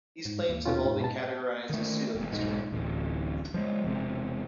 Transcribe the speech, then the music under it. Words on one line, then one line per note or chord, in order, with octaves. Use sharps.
These claims have all been categorized as pseudohistory.
G#2
D#2
B2 C#4 F4
G#2
B2 A5
D#3 A3
E1
B1 G#2
D1 A1
F3 G#3
E1 C3